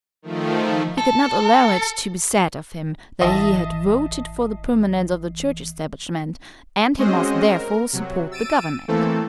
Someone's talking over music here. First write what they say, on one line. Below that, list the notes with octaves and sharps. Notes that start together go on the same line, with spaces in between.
He could not allow it to be said of him that he had voted for the permanence of the Church establishment, and he must therefore support the Government.
D#3 F3 A3
A4
G#1 E3 D#5 E5 A5 C7
G#3 C4 C#4 F#4 C5 D#5
A#4
C3 F#3
E6 A6 D7 D#7
E3 A3 A#3 C4 A4